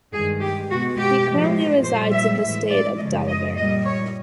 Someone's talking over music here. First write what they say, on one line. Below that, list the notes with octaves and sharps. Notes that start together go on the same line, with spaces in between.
He currently resides in the state of Delaware.
G2 D#3 G#3 G#4
G4
B2 G#3 F#4
G4
A2 F3 G#3
A#2 G3 C5
E5
A2 E3 G#3 E5
D5
F#2 C#3 F3 G#3 D#5
D#5
A#2 G3 D#5
C#5